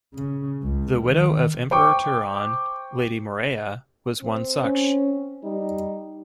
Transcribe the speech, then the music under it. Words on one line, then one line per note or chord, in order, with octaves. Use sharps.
The widow of Emperor Turhan, Lady Morella, was one such.
C#3
C#2
D#3
C5 G5 C#6 D6
C4
C#4
G3 D#4